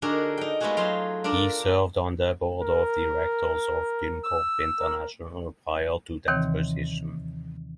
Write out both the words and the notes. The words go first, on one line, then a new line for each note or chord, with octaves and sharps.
He served on the Board of Directors of Dyncorp International prior to that position.
D3 D4 D#4 F#4 G#4 A#4
D#4 G5
G#3 A3 B3 F4 F#4 G#4
F#3 F4 C5 C6
D4 F4 A#4 D5 A5
A#4
E6
A#4
D#2 C3 D#3 E3 C4 C#5